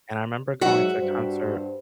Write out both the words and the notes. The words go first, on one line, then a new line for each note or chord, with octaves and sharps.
and I remember going to a concert
G#2 F#3 F#4 E5 F#5
G2 G3 C5